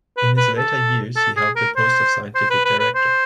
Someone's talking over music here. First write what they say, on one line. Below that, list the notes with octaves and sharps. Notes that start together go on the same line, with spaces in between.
In his later years he held the post of scientific director.
B4
B4
A4
A4
G#4
A#4
C5
C5
B4
B4
B4
C5